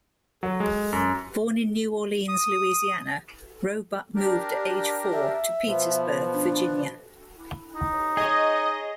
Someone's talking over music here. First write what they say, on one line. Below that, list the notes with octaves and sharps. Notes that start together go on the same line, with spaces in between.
Born in New Orleans, Louisiana, Roebuck moved at age four to Petersburg, Virginia.
F#3
G#3
F#2
D#6
D4 G4 A#4
E5
B2 F3
D4
D#4
G#4 C#5 D#5